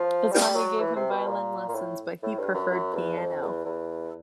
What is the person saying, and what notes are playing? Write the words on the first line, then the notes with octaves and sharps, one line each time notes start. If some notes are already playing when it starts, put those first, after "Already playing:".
His mother gave him violin lessons, but he preferred piano.
Already playing: F3
G3
F#3
E3
C3
B2
A#2
A#2
A2
A2
G2
F#2
F#2
E2
F2
E2
E2